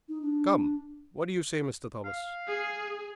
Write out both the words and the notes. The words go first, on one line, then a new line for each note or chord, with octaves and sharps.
"Come, what do you say, Mr. Thomas?"
D#4
D4
F5
G#4